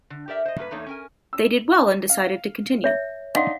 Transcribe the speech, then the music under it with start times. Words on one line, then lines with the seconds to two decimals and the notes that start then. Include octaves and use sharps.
They did well and decided to continue.
0.10 D3
0.28 G4 A#4 D5 E5
0.45 C5 D#5
0.57 G2 A#3 G#4 B4
0.71 E2 A3 A#3 D4 D#4 C#5
0.86 C#4 A#4 G#5
1.33 E6
2.09 F5
2.84 C#5 E5
3.35 D4 D#4 D#5 F5 F#5 C6